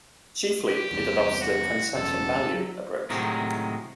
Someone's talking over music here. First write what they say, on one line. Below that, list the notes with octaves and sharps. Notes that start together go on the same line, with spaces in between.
Chiefly, it adopts the "transaction value" approach.
G4
E2 G2 C3
F#4
E1 F#2 C#3 A4
F#3
A2 C3 D#3 F#3 G#3